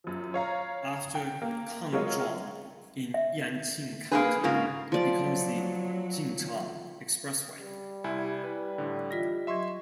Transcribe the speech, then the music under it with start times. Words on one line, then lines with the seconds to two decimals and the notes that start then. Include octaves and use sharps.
After Kangzhuang in Yanqing County, it becomes the Jingzhang Expressway.
0.04 F#2 F3
0.34 C#5 F5 A#5
1.15 G5
1.42 A#3
1.92 F#3 G#3 F4 A#4 C#5 D#5
3.14 E5
4.11 A#3 D4 G#4 B4
4.44 G#2 C#3 A#3 F4
4.92 F3 F#3 D5
7.58 G3
8.04 C2 E4 G#5
8.44 B4
8.78 A2 D3
9.11 E3 F4 D#5 A#6 B6
9.47 F#3 D#5 E5 C6 C#6 G#6